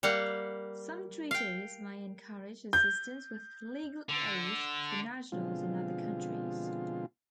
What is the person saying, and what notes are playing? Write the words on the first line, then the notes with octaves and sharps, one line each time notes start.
Some treaties may encourage assistance with legal aid for nationals in other countries.
G3 A#3 F5 F#5
F5 G5
G6
D3
B2 D3 F3 G#3 C4 F4